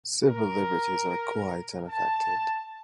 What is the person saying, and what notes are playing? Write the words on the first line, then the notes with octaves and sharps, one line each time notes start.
Civil liberties are quite unaffected.
A#4
A5